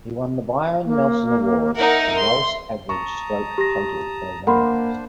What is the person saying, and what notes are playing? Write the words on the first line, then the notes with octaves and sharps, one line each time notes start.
He won the Byron Nelson Award for lowest average stroke total per round.
A#3
D#4 A#4 E5 F#5
C6
A5 A#5 C#6 D#6
G4 A#6
A#3 D4 C5 F#5 B5 C6